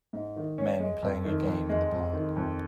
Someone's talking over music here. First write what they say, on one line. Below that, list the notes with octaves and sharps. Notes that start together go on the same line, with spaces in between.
Men playing a game in the park.
G#2
D#3
C#4
G#3
F2
D#3
F2
G#3
F2
D#3
F2